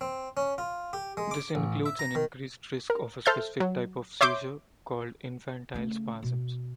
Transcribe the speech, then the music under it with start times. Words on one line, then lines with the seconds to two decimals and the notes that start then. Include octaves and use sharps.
This includes an increased risk of a specific type of seizure called infantile spasms.
0.01 C4
0.37 C#4
0.58 F4
0.93 G4
1.17 G#3
1.31 D6
1.55 A1
1.86 E5
1.99 A#5
2.15 D#3
2.90 A#4
3.25 A4 C5 E5 F6 G6 A6
3.60 F#3
4.21 C#5 E5 C6 D6 G6
5.74 C#3 A3
6.23 B2